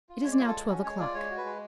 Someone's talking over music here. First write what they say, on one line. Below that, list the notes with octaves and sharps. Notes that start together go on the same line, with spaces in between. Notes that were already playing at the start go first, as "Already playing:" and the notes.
"It is now twelve o'clock."
F4
G#3 C#5
D5
F4 C#5
A4
G#3
C#4 F#4
G#3 C#5
F4 D5
G#3 C#5
F#4
B4
G#3